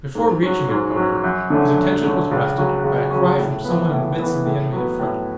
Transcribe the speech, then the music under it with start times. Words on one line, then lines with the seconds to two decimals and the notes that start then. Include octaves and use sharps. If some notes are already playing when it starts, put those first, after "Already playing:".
Before reaching him, however, his attention was arrested by a cry from some one in the midst of the enemy in front.
0.15 G#2
0.43 F#3 C#4
0.69 G#2
0.96 F#3 C#4
1.24 F#2
1.50 D3 A3 C#4
1.77 F#2
2.04 D3 A3 C#4
2.31 C#2
2.58 C#3 F#3 C#4
2.84 C#2
3.11 C#3 F#3 C#4
3.38 A2
3.64 E3 B3
3.91 A2
4.19 E3 B3
4.45 A2
4.72 F#3 B3
4.99 A2